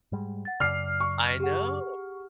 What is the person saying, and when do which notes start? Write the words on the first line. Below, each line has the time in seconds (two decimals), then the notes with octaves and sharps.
I know.
0.12 G#2 G3 G#3
0.45 F#5 A6
0.60 F#2 C#3 D5 D6 F6 C7
1.00 C#6
1.40 G4 G#4 F#5